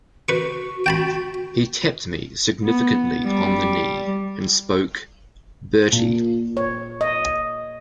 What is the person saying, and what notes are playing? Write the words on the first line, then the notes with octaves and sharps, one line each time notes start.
He tapped me significantly on the knee and spoke: "Bertie."
F#4 B4 C#6
G5 A5 B5
B3
G3
A#2
C#5
D#5